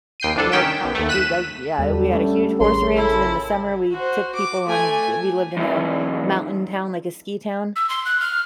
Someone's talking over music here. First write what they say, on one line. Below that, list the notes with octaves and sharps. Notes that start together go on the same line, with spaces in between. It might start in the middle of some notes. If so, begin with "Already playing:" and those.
Nope. We go Yeah, we had a huge horse ranch, and in the summer, we took people on g We lived in a mountain town, like a ski town,
D#2 G5 C7 D#7
C2 D4 A4
D#3 C#4 G5 B6 D7 E7
B1 F#2
D#2 A3
F#6 B6 D#7 E7
E2 D3 G3 A4 A5
A3 C#4
A1 G#4 A#4 C#5 C6
C#3 E4 A4
F#4 C5
D6
A3 G#5
B1 E2
E6
C6
F#6
F6